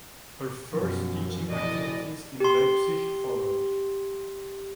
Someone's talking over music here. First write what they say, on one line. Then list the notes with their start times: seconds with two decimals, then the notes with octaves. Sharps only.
Her first teaching activities in Leipzig followed.
0.71 F#2 B2 F3 G3
1.50 E1 A1 D5 D#5
2.40 G4 C6